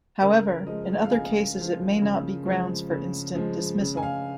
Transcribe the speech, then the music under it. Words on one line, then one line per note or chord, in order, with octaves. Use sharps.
However, in other cases it may not be grounds for instant dismissal.
C#3 A#4
F3 G#3 D#5
F5
C#3 G#5
F3 G#3
C#3
F3 G#3
C#3
F3 G#3
C#3
G#5
F5